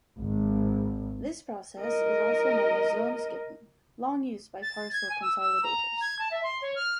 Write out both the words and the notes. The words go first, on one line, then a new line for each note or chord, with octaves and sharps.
This process is also known as zone skipping, long used by Parcel Consolidators.
G#1
A#4 D#5
A6
G#6
G#5
E6
E6
A#5
G#6
A5
E5
C6
C#5
F6